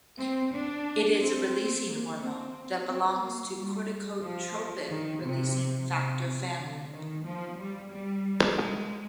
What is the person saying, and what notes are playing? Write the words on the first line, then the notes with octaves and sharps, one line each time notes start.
It is a releasing hormone that belongs to corticotropin-releasing factor family.
C4
D4
C4
A#3
C4
C4
A#3
G3
F3
D#3
C3
C3
D3
D#3
F3
G3
G3
G#3